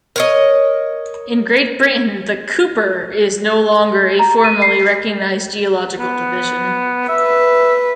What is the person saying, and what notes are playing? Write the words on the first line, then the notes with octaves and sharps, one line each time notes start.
In Great Britain the 'Keuper' is no longer a formally recognised geological division.
A#4 C#5 D#5
A#5
D#7
C7
B3
B4 E5